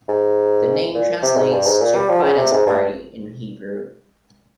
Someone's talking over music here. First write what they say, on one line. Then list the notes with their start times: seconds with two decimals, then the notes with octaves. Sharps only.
The name translates to "Finance Party" in Hebrew.
0.08 G#2
0.95 A#2
1.23 C3
1.37 G#2
1.52 G2
1.66 G#2
1.81 A#2
1.95 G3
2.09 F3
2.23 C#3
2.37 C3
2.52 G#2
2.67 G2